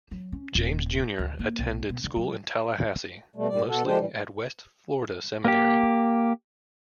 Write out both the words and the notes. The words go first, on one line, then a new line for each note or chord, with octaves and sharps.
James Junior attended school in Tallahassee, mostly at West Florida Seminary.
F#3
C#4
D#1
D2
A#3
B1
B2
D3
F#3
B2 G3 A3
A#2 G3 D5
B2 F#4 A4
D3 F3 G#3 D4 G4 C5
A2 E3 G3
A#3 G4